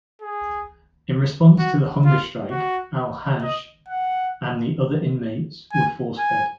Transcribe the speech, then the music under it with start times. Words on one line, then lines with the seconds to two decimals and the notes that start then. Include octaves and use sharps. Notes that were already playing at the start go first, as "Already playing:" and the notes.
In response to the hunger strike, Al Hajj and the other inmates were force-fed.
0.21 G#4
1.59 F#4
2.05 F4
2.51 F#4
3.42 D#5
3.88 F#5
5.72 G#5
6.18 G#5